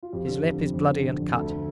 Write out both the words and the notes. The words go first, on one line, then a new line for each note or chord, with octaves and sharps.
His lip is bloody and cut.
F4
F2 G4
D3
F2
F2
F2
D3
F2
F2
D2 A4